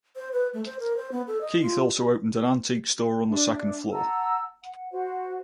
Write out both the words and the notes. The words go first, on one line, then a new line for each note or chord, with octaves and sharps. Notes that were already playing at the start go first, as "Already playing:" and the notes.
Keith also opened an antique store on the second floor.
C5
B4
A3
C5
A#4
C5
B3
A4
D#5
F4
D4 E5
F#5 A5 A#5 E6
F#5
F#4 C5